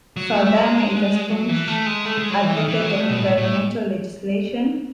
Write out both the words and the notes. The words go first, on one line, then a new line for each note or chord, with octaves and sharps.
Saldana is a staunch advocate of environmental legislation.
F#3
A3
A3
G#3
F#3
E3
A3
G#3
A3
G#3
F#3
E3
D#3
E3
F#3
G#3
A3
B2
A2
A2